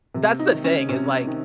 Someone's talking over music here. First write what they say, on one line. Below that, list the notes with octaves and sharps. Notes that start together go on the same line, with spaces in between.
That's the thing is, like,
C3
D#4
D#3
C#4
C3 C#4
D#3